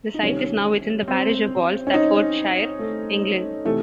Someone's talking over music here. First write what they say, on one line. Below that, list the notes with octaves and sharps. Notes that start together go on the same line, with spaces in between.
The site is now within the parish of Wall, Staffordshire, England.
D#4
C2 C3 D#3 C#4
C4
C#4
D#4
A3
C3 E3 A3